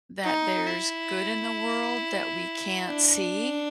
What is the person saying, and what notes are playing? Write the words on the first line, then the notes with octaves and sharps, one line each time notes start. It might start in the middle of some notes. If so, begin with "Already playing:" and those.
that there's good in the world that we can't see,
D#4
E4
D4